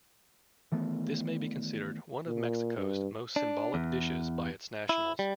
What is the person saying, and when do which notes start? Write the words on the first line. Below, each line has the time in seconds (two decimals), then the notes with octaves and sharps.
This may be considered one of Mexico's most symbolic dishes by its nationals.
0.72 D#3 E3 A3 B3
2.27 A#2
2.77 G2
3.36 D4
3.74 E2
4.89 E4
5.19 G3